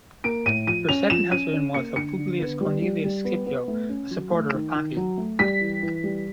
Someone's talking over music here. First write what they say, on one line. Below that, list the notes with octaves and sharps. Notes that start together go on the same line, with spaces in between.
Her second husband was a Publius Cornelius Scipio, a supporter of Pompey.
A#3 D7
A2 D#7
F3 D#7
C#4 F7
F3 E7
C#4 D#7
C#4
A#3 C#7
D3 C#7
D3
B3
G3
G3
G3
B3
B3
A3
C#4
F#3
A3
D#3
D#3
F#3
A3
G3 B6
E3
E3
G3